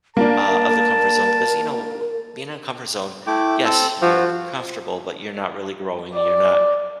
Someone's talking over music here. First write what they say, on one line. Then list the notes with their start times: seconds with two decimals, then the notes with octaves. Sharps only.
uh, of the comfort zone because, you know, being in a comfort zone, yes, you're comfortable, but you're not really growing, you're not
0.17 A#3 D4 A#4 A5
3.27 A3 E4 G5 D6
3.65 C4 A4 E6
4.02 F3 F#4
6.14 D5